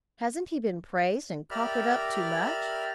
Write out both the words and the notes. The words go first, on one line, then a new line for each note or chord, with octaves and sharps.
Hasn't he been praised and cockered up too much?
G4 A#4 D5 E5 B5 F6